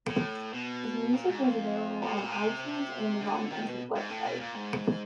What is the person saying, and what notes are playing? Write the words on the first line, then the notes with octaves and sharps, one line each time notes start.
His music is available on iTunes, Amazon, and his web site.
A2
B2
A#2
G#2
F2
A2
A#2
C3
D3
D#3
B2
G#2
A2
B2
A#2
G#2